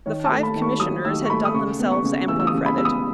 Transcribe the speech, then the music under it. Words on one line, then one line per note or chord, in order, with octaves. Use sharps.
The five Commissioners had done themselves ample credit.
D#3 C#5
A5
A3
B5
D#3
C#6
F#3 D#6
D#3 E6
C#6
A3 B5
D#6
C#3 C#6
B3
C#6
C#3
E3 E6
E6
D#6
C#3
B5
B3 E6
D#6